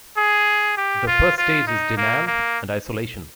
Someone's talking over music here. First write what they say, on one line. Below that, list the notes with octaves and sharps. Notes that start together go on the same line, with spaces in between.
The first stage is denial and isolation.
G#4
G4
F4
F4
D#4
A#3
A#3